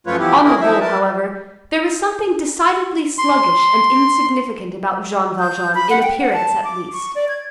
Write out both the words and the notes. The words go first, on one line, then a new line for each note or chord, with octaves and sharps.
On the whole, however, there was something decidedly sluggish and insignificant about Jean Valjean in appearance, at least.
F#2 F3 A3 F4 B4 C#5
E3 F3 B3 E4 G4
D#3 E4 G#4 A#4
F3 D#4 E4 E5
A#4 B4 A5
C6
G6
B5
F#5
G5
F#5
A5
D6
C#6
D5
G#6